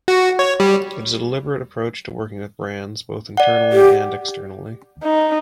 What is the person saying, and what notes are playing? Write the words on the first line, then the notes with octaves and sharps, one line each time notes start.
It is a deliberate approach to working with brands, both internally and externally.
F#4
C#5
G3
D5 F#5
G4
D#4